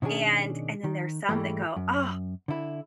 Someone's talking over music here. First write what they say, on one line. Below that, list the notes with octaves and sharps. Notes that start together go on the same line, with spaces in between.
and and then there's some that go, "Oh,
B2 D#3 C#4 D4 G#4
D#3
G#2 C3 E3 G3 A3
F#2
D3 E4